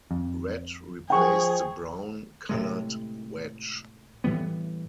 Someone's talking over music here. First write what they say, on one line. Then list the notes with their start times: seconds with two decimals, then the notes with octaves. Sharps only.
Red replaced the brown-colored wedge.
0.11 F2
1.10 F3 G#4 G5 C#6
2.49 A2 C3 G#3
4.24 A2 E3 G3 B3